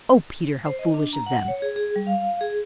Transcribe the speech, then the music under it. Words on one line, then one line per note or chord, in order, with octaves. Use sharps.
"Oh, Peter, how foolish of them!"
C5
D#5
D4
A#5
F#5
C#5
G#4
G#4
G3
F5
G#4